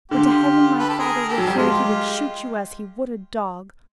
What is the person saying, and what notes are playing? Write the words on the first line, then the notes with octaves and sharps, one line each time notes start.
Would to heaven my father were here, he would shoot you as he would a dog!
D3 F4 G4
A4 B4
G4 A4
G#4 A#4
G4 A4
F#3
G3
G#3 F4 G4